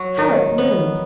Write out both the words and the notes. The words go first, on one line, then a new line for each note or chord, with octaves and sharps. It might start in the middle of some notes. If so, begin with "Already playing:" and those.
How it bloomed!
Already playing: F#3 F#4
D#3
B3